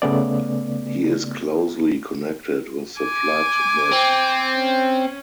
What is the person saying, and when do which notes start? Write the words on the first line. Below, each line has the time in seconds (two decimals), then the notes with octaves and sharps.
He is closely connected with the Flood myth.
0.02 C#3 A3 B3 D5
3.00 G#5 D6
3.92 C4
4.55 C#4